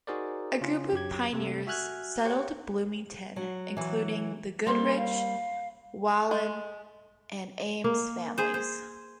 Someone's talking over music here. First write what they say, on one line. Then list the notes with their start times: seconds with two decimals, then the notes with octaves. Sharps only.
A group of pioneers settled Bloomington, including the Goodrich, Whalon, and Ames families.
0.07 D#4 F#4 G#4 A#4 C5 D5
0.61 C#3 C#4 E4 F4
0.92 F#2 F#3 G4 G#6
1.33 C3 A3 A4
1.67 F#4 E5 G#5 F6 F#6 G#6
2.24 G4 C5 C#5 F#5 G5
3.36 F#3
3.77 E3 F#3
4.67 G3 A#3 C4 C6
4.96 F5
6.31 G#3
7.84 A#3
8.38 G#4 C5
8.54 C5